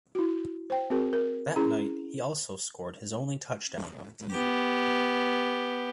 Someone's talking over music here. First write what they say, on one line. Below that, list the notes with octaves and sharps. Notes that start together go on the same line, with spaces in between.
That night he also scored his only touchdown of the year.
E4 F#4
C5 G5
C4 F#4 G#4 A#4
A#4
C#4 E4 G#4 A#5
B3 G4